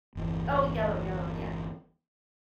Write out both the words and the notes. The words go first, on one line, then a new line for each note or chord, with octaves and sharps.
Oh, yellow, yellow, yes.
G1 E2